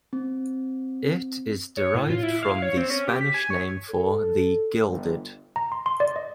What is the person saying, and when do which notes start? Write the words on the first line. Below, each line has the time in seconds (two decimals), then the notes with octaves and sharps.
It is derived from the Spanish name for "the gilded".
0.13 C4
1.77 C#5
1.95 A2
2.10 F4
2.23 E4
2.43 F5
2.62 C#5
2.77 C4
2.90 C#4
3.08 G4
3.21 B6
3.34 G#5
3.50 C#5
3.89 A4
4.87 G1
5.56 A#5
5.72 C6
5.86 C6
6.00 D5
6.16 D#5